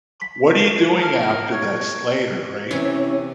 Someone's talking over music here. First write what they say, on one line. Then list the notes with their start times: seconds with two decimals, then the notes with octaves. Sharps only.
What are you doing after this later?" Right?
0.21 B6
1.02 A#4 A5
1.52 C#5
2.71 C3 E3 C#4 E4 C#5 G#5